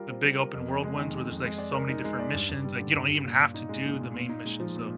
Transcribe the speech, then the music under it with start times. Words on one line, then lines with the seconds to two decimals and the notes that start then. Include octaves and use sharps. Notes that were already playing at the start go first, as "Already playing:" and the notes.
The big open world ones where there's, like, so many different missions, like, you don't even have to do the main mission, so
Already playing: G3 F4 A#4
0.09 C4
0.24 G3
0.39 A#4
0.54 F2
0.68 F2
0.84 G#3
0.98 D#3
1.13 F2
1.30 F2
1.44 G#3
1.58 D5
1.73 A#4
1.89 D#4
2.04 G#3
2.19 D5
2.34 G2
2.49 G2
2.64 G3
2.79 D3
2.94 G2
3.10 G2
3.24 A#2
3.40 A#2
3.54 D#4
3.69 G#3
3.85 A#2
4.00 A#2
4.14 A#2
4.29 D#4
4.45 G#3
4.60 F3
4.75 A#2